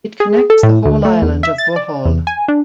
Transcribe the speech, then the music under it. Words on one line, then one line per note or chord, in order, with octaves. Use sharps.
It connects the whole island of Bohol.
G#4
A4
A2
D2
A3
E2
E5
A6
D5
E2
G#5
D4